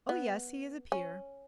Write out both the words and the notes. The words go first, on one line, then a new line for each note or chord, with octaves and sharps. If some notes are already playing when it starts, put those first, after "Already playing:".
"Oh, yes, he is a peer."
B3
C#4